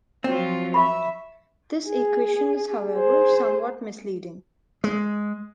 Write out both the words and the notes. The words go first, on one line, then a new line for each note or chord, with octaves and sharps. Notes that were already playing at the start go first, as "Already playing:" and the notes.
This equation is however somewhat misleading.
F3 F#3 C4 F4
E5 B5 C#6
G#4
G#4 C5
G#3